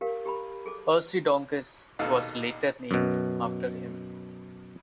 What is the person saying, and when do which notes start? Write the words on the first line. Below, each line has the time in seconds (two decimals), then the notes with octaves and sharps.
"Ursidongus" was later named after him.
0.01 G4 A#4 F5
0.25 G4 A#5 B5
0.66 G#4 A4 D6
1.99 A#1 D#2 B2 D#4 A4 F5
2.91 F#2 B2